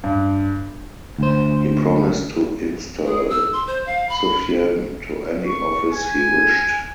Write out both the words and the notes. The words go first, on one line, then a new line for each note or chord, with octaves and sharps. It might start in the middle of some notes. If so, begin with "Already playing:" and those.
He promised to install Sufyan to any office he wished.
G2
D2 C5
G#4
E6
C6
C5
F5
B5
C#6
G#5